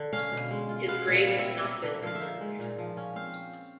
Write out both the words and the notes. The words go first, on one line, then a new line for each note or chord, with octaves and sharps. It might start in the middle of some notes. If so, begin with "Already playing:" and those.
His grave has not been preserved.
Already playing: D3
C#4 F5
B2
G#3
F4
B3 F5
A#2
D#5
G3
E5
E4
A#3 D#5
D3
F3 F5
E5
D#4
G#3
A#2
F3
C#4
C4 F5